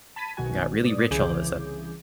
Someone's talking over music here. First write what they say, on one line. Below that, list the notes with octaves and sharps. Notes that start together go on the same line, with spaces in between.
and got really rich all of a sudden.
A5 B5 G#6 B6 D#7
B1 B2 D#3 F#4 G#5
G#2 B2 D5 D#6
C2 C#3 E3 G#4 D6 G6